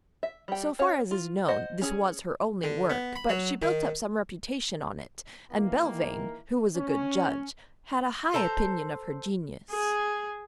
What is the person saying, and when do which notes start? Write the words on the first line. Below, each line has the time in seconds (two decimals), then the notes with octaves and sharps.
So far as is known, this was her only work, but she built up some reputation on it, and Belvane, who was a good judge, had a high opinion of her genius.
0.23 E5
0.48 G3 G5
0.79 C#4 C#5 F5
1.11 F4
1.48 C5 D#5 F#5
1.81 C#4 G#4
2.63 D3
2.90 B3
3.16 B5
3.29 F#3
3.62 D#3
5.52 D#3 E3 A#3
6.77 C#4
8.34 A4 C5 A5 A#5
9.70 G#4